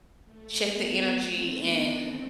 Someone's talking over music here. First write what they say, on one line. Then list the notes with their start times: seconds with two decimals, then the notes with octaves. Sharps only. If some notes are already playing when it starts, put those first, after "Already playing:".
check the energy, and
0.23 A3
0.66 B3
1.09 A3 C4
1.52 B3 D4
1.95 A3 C4